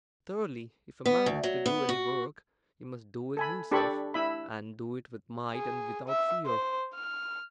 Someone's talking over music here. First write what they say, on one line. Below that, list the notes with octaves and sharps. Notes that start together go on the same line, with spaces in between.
Thirdly, If a man has to do any work, he must do it himself, and do it with might and without fear.
B3
D2
F#3
B3
F#4
A4 G#5 B5
D4 G4 A4 D5 B5 C#6
E4 E5 B5
G#4
E5
C5
F6